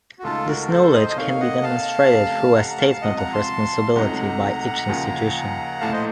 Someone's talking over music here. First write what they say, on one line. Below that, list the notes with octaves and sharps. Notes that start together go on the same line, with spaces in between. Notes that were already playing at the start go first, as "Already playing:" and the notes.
This knowledge can be demonstrated through a statement of responsibility by each institution.
F#4
C#2 C#3 A3 D#4 F4 A4
F#4 A#4
A4 C5
C5 D#5
D#5
C3 D#3 A#3 D#4 A4 C#5 F5
D#5 F#5
F5 A5
F1 F2 C#3 A3
F#5 A#5
A#5
F5 A5
F5
C#2 C3 F3 D#5 F#5
F#5 A#5
A5 C6
C#2 C3 F#3 A3 D#4 F#5 A#5
D#2 C#3 F3
A#1 A2 A3 F5 A5
C5 D#5